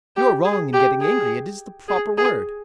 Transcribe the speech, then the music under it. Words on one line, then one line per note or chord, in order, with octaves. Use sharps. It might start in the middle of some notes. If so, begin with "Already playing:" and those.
"You are wrong in getting angry; it is the proper word."
G4
G#4
G4
G#4
G#4
G#4